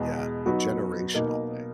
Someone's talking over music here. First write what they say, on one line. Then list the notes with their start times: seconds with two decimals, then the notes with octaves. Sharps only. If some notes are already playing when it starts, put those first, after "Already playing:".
Yeah, the generational thing.
Already playing: E2 B2 G#3
0.46 F#3 B3 D#4 F#4
1.14 B2 A#3 D#4 A#4